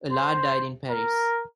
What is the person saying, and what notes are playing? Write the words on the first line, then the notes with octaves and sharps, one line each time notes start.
Alard died in Paris.
C5
A#4